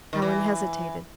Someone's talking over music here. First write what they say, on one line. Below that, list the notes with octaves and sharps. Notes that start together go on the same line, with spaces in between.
Allan hesitated.
D#3
E3